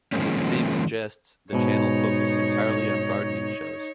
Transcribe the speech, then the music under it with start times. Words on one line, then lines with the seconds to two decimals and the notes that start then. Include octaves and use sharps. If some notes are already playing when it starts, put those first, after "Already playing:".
As its name suggests, the channel focused entirely on gardening shows.
0.12 D#3 F3 G#3 A#3 C4 C#4
1.53 G#2 B2 D#4 C#5